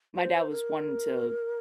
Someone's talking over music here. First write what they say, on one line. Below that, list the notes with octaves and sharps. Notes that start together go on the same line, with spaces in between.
my dad was one to
C5
A#4